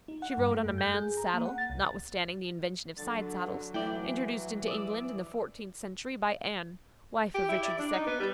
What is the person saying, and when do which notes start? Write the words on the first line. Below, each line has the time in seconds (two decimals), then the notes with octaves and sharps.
She rode on a man's saddle, notwithstanding the invention of side-saddles, introduced into England in the fourteenth century by Anne, wife of Richard II.
0.08 D#4
0.22 F#5
0.37 G2
0.51 A3
0.65 F#2
0.78 G6
0.94 G#4
1.17 A#5
1.34 A#3
1.45 F#5
1.58 A6
1.70 C2
2.98 D3 F#3 A6
3.74 E3 A3 E4 D5 G5
4.68 D5 D#6 E6
7.34 G4
7.48 E4
7.63 D5
7.79 D4
7.93 D#4
8.06 B3
8.20 G3